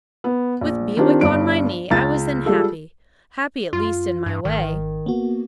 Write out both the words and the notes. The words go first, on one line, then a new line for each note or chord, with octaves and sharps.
With Bewick on my knee, I was then happy: happy at least in my way.
B3
A#1
D#3 C4 D4 F4 G4
G1 G2 D7
C#2 A6
G3 G#3 F4 A4
F#2 F4
G2
G#1 D#3
A#3 B3 F#4